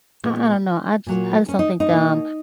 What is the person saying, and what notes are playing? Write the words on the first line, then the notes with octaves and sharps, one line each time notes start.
I I don't know, I just I just don't think that, um,
A#2 G#3 B3
A#2 F#3 A#3
C#4
D#4
D#4
B2 A#3